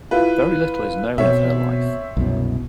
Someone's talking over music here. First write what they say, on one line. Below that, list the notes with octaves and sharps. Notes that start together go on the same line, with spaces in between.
Very little is known of her life.
E4 F4 B4
B2 C4 C#5 E5
C2 F#2 B2